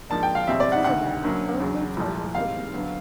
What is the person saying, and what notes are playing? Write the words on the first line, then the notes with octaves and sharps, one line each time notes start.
Because of that, Harumoto was defeated.
G#2 F3 A#3 D4 A5
G5
F5
E2 B2 G3 C4 E5
D5
F#5
D2 C3 D#3 F#5
D2 D3 F#3 A#3 C#4
E2 C#3 F#3
C2 A#2 F3 A3
G#2 D#3 G3 C4 F5
D2 D3 F#3 B3